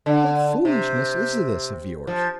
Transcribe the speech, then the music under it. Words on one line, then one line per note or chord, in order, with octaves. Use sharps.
"What foolishness is this of yours?"
D3
C3
F3